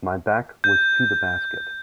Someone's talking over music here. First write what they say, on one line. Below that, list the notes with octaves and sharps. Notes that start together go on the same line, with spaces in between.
My back was to the basket.
G6